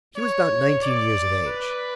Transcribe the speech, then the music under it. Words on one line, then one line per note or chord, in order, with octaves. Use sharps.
He was about nineteen years of age.
C#5
D5
B4